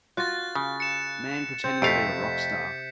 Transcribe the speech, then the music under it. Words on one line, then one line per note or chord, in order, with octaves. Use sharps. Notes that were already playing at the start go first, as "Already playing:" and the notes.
Man pretending to be a rock star.
F4 F#4 F#6 A6
C#3
C#7 E7
C4 G6
F2 C3 A3 F5 B6 C#7